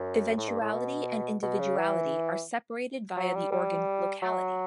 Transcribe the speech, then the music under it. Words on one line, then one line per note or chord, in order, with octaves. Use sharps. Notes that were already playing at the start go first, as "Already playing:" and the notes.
Eventuality and Individuality are separated via the organ Locality.
Already playing: F#2
A2
G2
A2
B2
B2
C#3
E3
F#3
G3
G3
F#3